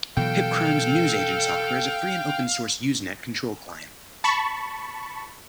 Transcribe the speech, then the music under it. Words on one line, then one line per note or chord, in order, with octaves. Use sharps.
HipCrime's Newsagent software is a free and open source Usenet control client.
B2 E3 F#3 A4 F5 G5
A5 B5 C#6